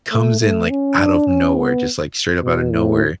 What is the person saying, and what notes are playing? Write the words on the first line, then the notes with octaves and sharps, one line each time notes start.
comes in, like, out of nowhere, just, like, straight up out of nowhere,
A3
A3
C#4
D4
C#4
B3
B2
A2